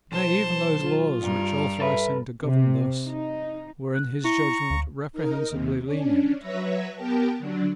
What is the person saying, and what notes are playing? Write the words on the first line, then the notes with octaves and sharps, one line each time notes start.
Nay, even those laws which authorised him to govern thus were in his judgment reprehensibly lenient.
B1 C5 A5
F4
G2 A#4
A4 B4 E5
C3
D#4
F#6
E4 A#5 C#6
D2
D#4 A#4
D#2 C3
C#4 D4
F#3 B4 C#5 E5 A#6
B3 G4 A#4 G5 A5
D3 F#3 D4